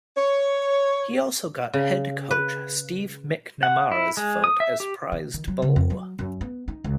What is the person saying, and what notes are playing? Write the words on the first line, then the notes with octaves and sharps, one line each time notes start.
He also got Head Coach Steve McNamara's vote as Prized Bull.
C#5
C#3
B4
F#5
E4
G#3
D#6
E5
G4
D#3
D#3
F#3
C#3
F2
F#3
F#2
B3
D#4
C#2